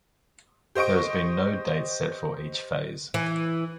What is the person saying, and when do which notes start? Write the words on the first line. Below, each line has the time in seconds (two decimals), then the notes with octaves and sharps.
There has been no date set for each phase.
0.75 G4 C5 D#5 C#6 D7
3.14 E3